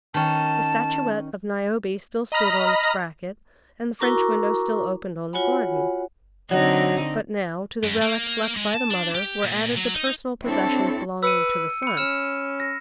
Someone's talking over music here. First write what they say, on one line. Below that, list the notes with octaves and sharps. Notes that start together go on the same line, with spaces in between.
The statuette of Niobe still stood on its bracket, and the French window still opened on the garden. But now, to the relics left by the mother, were added the personal possessions belonging to the son.
D#3 C#4 A5
D#5 A#5 B5 F6 A#6
E4 F#4 A#4 A#5 C#6 D6
F4 F#4 C#5 F#5 G#5 B5
D3 F#3 C4 D#4
F#2
A#3
G#3
A5
D4
G4
A#2
F#3
D#4
C4 D4 E4 A4 C#5
B4 E6 C#7 D#7
B5 C#7
C#4 F6 E7
A#6